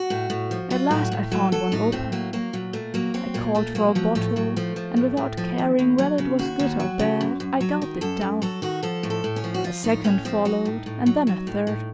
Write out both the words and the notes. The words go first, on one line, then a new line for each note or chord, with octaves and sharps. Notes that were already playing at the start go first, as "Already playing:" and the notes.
At last I found one open; I called for a bottle and without caring whether it was good or bad I gulped it down; a second followed and then a third.
Already playing: F#4
A2
A2
F3
F#3 F4
A2 F#4
A2
F#3 A4
F#3 A4
A2 D#4
A2 C4
F#3 A#3
F#3 A#3
A#2 F#3
A#2 A3
F#3 A#3
F#3 C4
A#2 A#3
A#2 A3
F#3 A#3
F3 F#3
A2 A3
A2 F#3
F3 A3
F3
A2
A2
F3
D#2
D#2
F#3
C#3
D#2 F#4
D#2
F#3
C#3
F#2
F#2
F#3
D#3
F#2 A4
F#2
F#3 A4
D#3 F#4
F3 A4
A2
A4
A2
C#4
F3
F#4
F3 F4
A2 D#4
A2 C#4
F3 C4
F#3 D#4
A2
A2
F#3
F#3
A2
A2